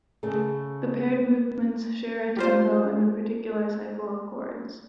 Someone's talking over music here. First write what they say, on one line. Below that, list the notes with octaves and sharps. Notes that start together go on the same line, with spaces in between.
The paired movements share a tempo and a particular cycle of chords.
C#3 A3
G3 F4 C5